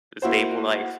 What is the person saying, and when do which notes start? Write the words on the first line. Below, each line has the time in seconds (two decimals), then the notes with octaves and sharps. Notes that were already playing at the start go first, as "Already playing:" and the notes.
the stable life.
0.22 A#3 E4 F#4 C5